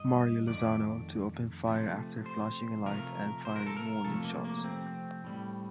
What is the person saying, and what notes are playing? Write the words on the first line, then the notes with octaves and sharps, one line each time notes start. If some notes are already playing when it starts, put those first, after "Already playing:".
Mario Lozano, to open fire after flashing a light and firing warning shots.
Already playing: G2 D3 A3 D#5
F2 D#3 A3 D5
C3 F3 A3
C5
C3 F3 A3 A#4
C5
A#4
A4
A#4
C3 F3 A3 A4
A#3
A#3
C4
A2 G3